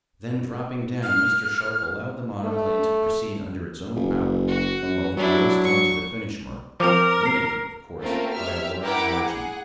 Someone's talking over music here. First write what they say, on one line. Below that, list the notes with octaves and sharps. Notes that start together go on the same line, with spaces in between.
Then, dropping down, Mr. Sharp allowed the monoplane to proceed under its own power, while he raced on to the finish mark, winning, of course, by a large margin.
F6
A3
F#1
F#4
F#2
F#3 D4 E4
C#6
F3 C4 A#4 D6 F7
C7
A3 A#3 C4 C#4 F4 A#4
G4 E5 F6
E4 G4 A#4 F#5 G5 D6
G#4 F#5